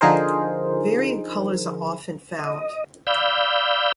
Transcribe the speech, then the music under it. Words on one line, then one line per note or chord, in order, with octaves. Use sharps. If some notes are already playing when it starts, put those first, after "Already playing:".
Variant colors are often found.
D3 F3 D#4 G#4 A#4 C5
D#5
D5 F5 B5 E6 G6